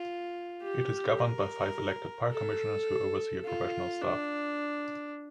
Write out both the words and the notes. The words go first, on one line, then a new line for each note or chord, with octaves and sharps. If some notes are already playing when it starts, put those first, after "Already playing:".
It is governed by five elected park commissioners who oversee a professional staff.
Already playing: F4
G4
A#4
A4
F4
D4